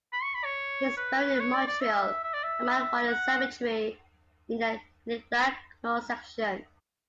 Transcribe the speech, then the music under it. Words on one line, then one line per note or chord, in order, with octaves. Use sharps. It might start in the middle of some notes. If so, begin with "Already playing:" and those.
He is buried in Montreal, at Mount Royal Cemetery in the Lilac Knoll section.
B5
C#6
B5
C#5
B4
B4
C#5
D5
D5
E5
E5
D5
E5
F#5